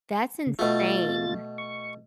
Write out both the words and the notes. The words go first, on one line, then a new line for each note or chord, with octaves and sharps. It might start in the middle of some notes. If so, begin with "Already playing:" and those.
That's insane.
C#3
B2 A3 F4 A6
C#6